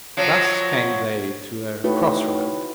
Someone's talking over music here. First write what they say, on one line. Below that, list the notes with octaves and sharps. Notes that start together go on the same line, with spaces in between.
Thus came they to a crossroad.
F3 F#3
A3 D#4 E4 F#4 B4 C#5 G5